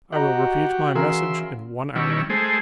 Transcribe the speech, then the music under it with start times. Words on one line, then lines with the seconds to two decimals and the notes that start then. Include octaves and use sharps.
I will repeat my message in one hour.
0.12 F#4 G4 D#5 F#5 A#5
0.95 C#3 E3 G#4 A#4 E5 C6 C7
1.96 D#3 G3 C#4 E4
2.30 G#3 A3 G#4 C5